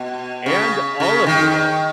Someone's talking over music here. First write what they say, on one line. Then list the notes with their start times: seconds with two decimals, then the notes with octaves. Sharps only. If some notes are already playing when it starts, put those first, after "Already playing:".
and olive oil
Already playing: B2
0.46 C#3
1.00 C#3
1.27 D#3